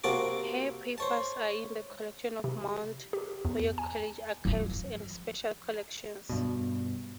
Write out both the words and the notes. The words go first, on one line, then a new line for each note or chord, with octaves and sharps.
Her papers are in the collection of Mount Holyoke College Archives and Special Collections.
C3 A#3 C4 F#4 A5 D6
C5 C#5 A5
C3
G4
E2
G#5
F3 F#3
G2 B2